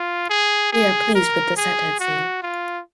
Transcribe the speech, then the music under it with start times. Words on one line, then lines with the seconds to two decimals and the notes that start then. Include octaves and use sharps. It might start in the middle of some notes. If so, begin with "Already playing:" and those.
We are pleased with the sentencing.
Already playing: F4
0.30 G#4
0.72 G#4
1.15 A#4
1.57 G#4
1.99 F#4
2.42 F4